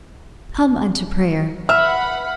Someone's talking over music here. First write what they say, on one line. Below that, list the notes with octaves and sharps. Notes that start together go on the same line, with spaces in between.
Come unto prayer!
B4 E5 F#5 B5 F6